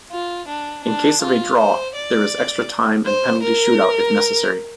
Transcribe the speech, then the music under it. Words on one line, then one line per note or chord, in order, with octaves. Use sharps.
In case of a draw, there is extra time and penalty shootout if necessary.
F4
D4
D4
F4
C5
D5
C5
A#4